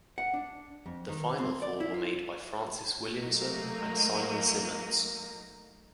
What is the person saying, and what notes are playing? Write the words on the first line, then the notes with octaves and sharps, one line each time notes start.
The final four were made by Francis Williamson and Symon Symondes.
F#5
D4
F2
D#3
C4
D5
E4
F4
F#3 A3 A#3 D#4